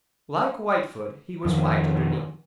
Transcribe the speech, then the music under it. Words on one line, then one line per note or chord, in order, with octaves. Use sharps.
Like Whitefoot he was white underneath.
F2 D#3 F3